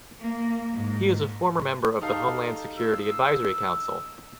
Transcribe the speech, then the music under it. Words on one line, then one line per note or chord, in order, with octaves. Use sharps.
He is a former member of the Homeland Security Advisory Council.
A#3
G#2
D#4 G4 A4 F5
E6